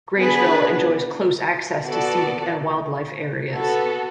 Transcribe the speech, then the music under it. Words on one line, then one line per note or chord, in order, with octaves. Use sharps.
Grangeville enjoys close access to scenic and wildlife areas.
B3 D4 G#4 B4
B3 F#4 A4 D5 A5
B3 F#4 A4